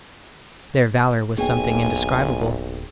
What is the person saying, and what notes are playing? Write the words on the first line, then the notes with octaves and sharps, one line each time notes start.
Their valor was something indescribable.
D1 B1 A#3 B3 G#4 G5 G#5